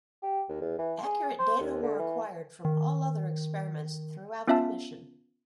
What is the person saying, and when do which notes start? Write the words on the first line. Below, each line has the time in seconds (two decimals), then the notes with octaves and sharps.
Accurate data were acquired from all other experiments throughout the mission.
0.23 G4
0.49 D#2
0.61 E2
0.79 E3
1.04 G#4
1.39 C5
1.60 D#2
1.83 D3
1.99 E3
2.65 D#3
4.48 B3 C#4 F4 E5 F5 A5